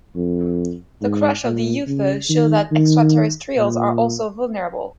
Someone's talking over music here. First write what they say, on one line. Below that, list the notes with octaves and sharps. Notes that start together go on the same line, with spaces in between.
The crash of the UFO shows that extraterrestrials are also vulnerable.
F2
G#2
A#2
C#3
D#3
D#3
A#2